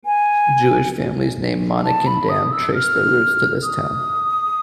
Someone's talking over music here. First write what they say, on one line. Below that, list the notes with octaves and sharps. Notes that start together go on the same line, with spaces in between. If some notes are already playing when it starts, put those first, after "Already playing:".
Jewish families named Monnikendam trace their roots to this town.
G#5
A5
B5
D#6
E6
F6
D#6